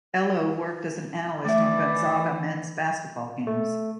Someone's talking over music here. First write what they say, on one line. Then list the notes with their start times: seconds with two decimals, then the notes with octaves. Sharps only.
Ehlo worked as an analyst on Gonzaga men's basketball games.
1.45 E3 A3 D5 E5
3.47 A3